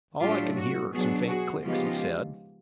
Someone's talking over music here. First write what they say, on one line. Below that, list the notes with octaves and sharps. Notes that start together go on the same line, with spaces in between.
"All I can hear are some faint clicks," he said.
A2 F#3 A3 D4 F4 G4
F#4
B2 F#3 B3 D4 F#4 G#4
F#4 G#4
C#3 F3 G#3 B3 D#4 F4 G4